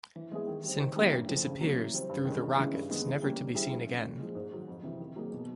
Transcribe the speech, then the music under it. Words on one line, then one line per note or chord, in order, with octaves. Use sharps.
Sinclaire disappears through the rockets, never to be seen again.
E3
G#3 B3 E4 G#4
D#3
G3 C4
D#3
G3 A#3 C#4 E4
G2
D3 F3 A3 C4
C#3
F#3 A#3 C#4
E3
G3 C4
G2
D#3 G#3 C#4
E2
C#3 E3 G#3 C#4
G2
D#3 G#3 B3
E3
G3 A#3 C#4
D3
G3 C4 E4 G#4
F3
A3 C#4
A#2
F3 G#3
G#2
D#3 F#3
F2
C3 E3
D#3
F#3 A#3 D#4 G#4
B2